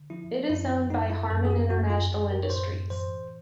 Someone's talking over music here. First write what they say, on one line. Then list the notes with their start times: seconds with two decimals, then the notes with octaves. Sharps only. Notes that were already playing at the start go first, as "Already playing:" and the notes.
It is owned by Harman International Industries.
Already playing: D3
0.10 F3 E4
0.50 F#2 E4
0.90 F#2 D#4
1.10 E4
1.30 F#2 A4
1.45 G#4
1.50 G4
1.70 F#2 F#4
1.90 F4
2.10 F#2
2.30 A#4
2.43 C#5
2.50 A2 C5
2.90 E3 C5